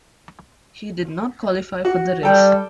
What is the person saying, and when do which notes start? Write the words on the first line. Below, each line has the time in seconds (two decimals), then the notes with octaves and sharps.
He did not qualify for the race.
1.85 F#4
2.23 G3 A4 G5